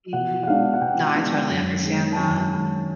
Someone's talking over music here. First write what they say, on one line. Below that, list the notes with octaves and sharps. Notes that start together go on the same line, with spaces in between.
Mhm. No, I totally understand that.
B2 F#5
F#5
G#3 B3 D4 F5
F#5
B2 G5
G#3 B3 D4
F#2
D#3 G#3
A5
F#2 G#5
D#3 G#3